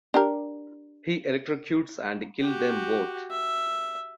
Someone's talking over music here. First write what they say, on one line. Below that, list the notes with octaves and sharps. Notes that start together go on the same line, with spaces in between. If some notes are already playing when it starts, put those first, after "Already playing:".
He electrocutes and kills them both.
D4 G4 A#4
F#4 G4
E5